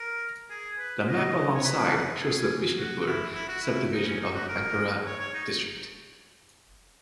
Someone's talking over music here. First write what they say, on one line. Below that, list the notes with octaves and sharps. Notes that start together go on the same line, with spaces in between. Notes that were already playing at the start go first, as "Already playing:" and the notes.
The map alongside shows the Bishnupur subdivision of Bankura district.
Already playing: A#4
G#4
B4
D#5
C#5
B4
G#4
F#4
F#4
E4
E4
F#4
E4
D#4
C#4
D#4
F#4
A#4
C#5
C#5
D#4